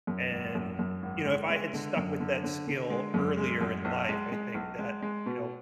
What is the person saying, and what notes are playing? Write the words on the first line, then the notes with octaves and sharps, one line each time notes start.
And, you know, if I had stuck with that skill earlier in life, I think that, you know,
F#2
G#1
F#2
F#2
G#1
G#3
G#3
D3
F#2
D3
D3
D3
G#3
F#2
G#3
F#2
B1
G#3
G#3
B1
G#3
G#3
B2